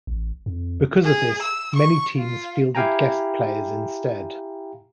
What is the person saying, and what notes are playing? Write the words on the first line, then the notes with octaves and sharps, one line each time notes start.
Because of this many teams fielded guest players instead.
A1
F2
G#4
E6
C#6
F4
E4 G4 F5 G5 G#5 A#5